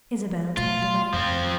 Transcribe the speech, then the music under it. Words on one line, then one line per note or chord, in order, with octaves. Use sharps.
Isabel turned away.
B2 A3 F4
F2 F3 C4